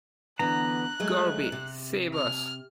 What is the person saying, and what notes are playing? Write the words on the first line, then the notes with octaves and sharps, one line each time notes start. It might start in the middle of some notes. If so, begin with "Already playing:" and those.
Gorby, save us!
D3 E3 B3 A#5 F#6
F#3 G#3 A3
C3
F6